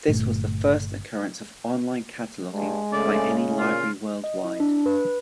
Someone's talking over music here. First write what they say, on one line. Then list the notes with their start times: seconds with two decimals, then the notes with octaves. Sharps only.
This was the first occurrence of online cataloging by any library worldwide.
0.08 G1 A#2 A3
2.53 G2 G#3
2.93 C#3 A3 D5
3.59 A#2 F4
4.24 D#5
4.44 E4
4.60 D4
4.86 B4